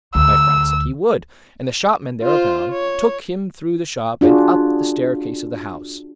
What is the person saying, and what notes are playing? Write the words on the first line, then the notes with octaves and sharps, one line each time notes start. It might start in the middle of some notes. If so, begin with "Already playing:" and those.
My friend said he would, and the shopman, thereupon, took him through the shop, and up the staircase of the house.
D2 E6
F4 C5
C#5
D4 F4 F#4 G#4